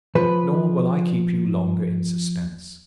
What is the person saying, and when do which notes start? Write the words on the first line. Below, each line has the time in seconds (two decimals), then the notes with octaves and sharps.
Nor will I keep you longer in suspense.
0.15 F3 B4